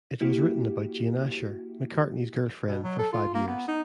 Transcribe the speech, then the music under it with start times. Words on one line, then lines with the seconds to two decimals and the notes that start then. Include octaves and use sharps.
It was written about Jane Asher, McCartney's girlfriend for five years.
0.21 A#3 E4 F#4 G4
2.67 B2
2.84 F#3
2.99 A4
3.13 F4
3.35 A#3
3.47 B3
3.68 D#4